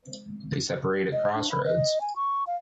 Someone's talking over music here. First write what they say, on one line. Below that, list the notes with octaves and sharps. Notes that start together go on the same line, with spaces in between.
They separate at crossroads.
D#5
D4
B5
D#5
G#5
C#6
F5